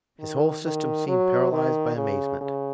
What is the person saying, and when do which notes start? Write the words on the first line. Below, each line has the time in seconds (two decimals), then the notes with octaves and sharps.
His whole system seemed paralyzed by amazement.
0.19 D#3
0.64 D#3
1.08 F#3
1.52 D#3
1.96 C#3
2.41 C#3